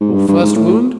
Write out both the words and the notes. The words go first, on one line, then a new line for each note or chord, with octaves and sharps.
"Your first wound?"
G#2
G2
G2
G#2
A2